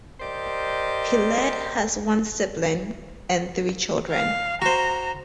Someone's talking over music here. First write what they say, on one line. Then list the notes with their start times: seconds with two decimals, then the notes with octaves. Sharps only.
Peled has one sibling and three children.
0.20 G4 A#4 C5 D5 D#5
4.11 F5
4.62 F#4 C5 A#5